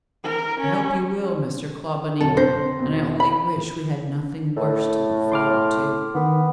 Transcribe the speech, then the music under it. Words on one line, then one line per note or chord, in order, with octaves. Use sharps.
"I hope you will, Mr. Clawbonny, and I only wish we had nothing worse to look forward to!"
A#4
C#4
E1 C3 F#3 A4
F2 C#3 C5 A#6
D3
E2 B2 C4
B5
A2 A4
C6 D6 F6
D#3 B3